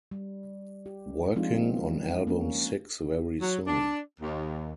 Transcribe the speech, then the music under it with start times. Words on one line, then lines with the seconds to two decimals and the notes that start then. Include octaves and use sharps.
Working on album six very soon.
0.11 G3
0.86 G4
1.36 F3 G#3 C4 D4 D#4 F4
2.27 A#3 C#4
3.41 F#3
3.67 D4
4.21 D#2